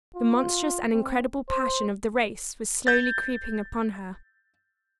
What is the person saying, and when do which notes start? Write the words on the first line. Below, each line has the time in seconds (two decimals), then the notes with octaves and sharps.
The monstrous and incredible passion of the race was slowly creeping upon her.
0.15 F4
0.93 C4
1.49 C5
2.87 G6 A6